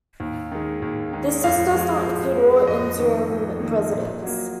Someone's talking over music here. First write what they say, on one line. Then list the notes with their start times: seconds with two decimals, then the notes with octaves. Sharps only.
This list does not include all interim presidents.
0.20 D#2
0.52 D#3 G#3
0.82 D#2
1.13 D#3 G#3
1.44 F2 F5
1.75 F3 G#3
2.06 F2
2.37 F3 G#3
2.67 F2 D#5
2.99 D#3 A#3
3.30 F2
3.61 D#3 A#3
3.92 A#2
4.22 F#3 A#3